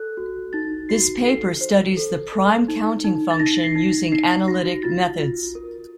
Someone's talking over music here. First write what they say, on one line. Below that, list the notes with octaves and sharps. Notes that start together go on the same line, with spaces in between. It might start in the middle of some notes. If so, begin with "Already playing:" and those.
This paper studies the prime-counting function using analytic methods.
Already playing: A4 F#6
F#4
D#4 A6
F#4 C7
A4 C7
C5
A4
A4
D#4
D#4
A6
D#4 A#6
C7
D#4
D#4 C7
F#4 A#6
F4 A6
F4
A#4